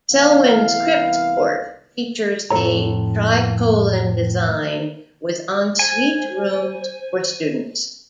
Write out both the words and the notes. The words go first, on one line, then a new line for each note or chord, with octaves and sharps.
Selwyn's Cripps Court features a tricolon design with ensuite rooms for students.
C2 E3 B3 E4 F5
F2 A2 A4 C#5 A#5
C5 G#5